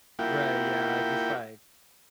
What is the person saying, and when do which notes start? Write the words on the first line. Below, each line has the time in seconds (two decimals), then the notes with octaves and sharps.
Right, yeah, just like
0.19 A#3 E4 F4 G4 F#5 G5